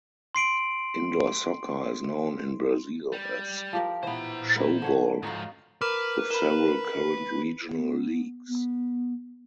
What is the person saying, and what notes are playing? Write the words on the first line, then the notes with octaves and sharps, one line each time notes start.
Indoor soccer is known in Brazil as "showbol", with several current regional leagues.
C6 C7 D7 F#7
G3
F3 G4 A#4
E3 B3 C5 A#5
E4 A#4 F#5
D3 C#5 F#5
G#2 F3 D#4 F#4 F5
A#4 B4 D6 F6
A#4 B5
B3
B3